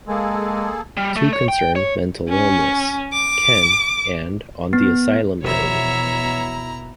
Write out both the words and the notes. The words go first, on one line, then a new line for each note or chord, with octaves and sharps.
Two concern mental illness - "Ken" and "On the Asylum Road".
G#3 A#3 G#4 A4
G3
A3
C#5
G5
C#5
C#4
D6
B3
E1 B2 F3 E4 C#5 E5 A#5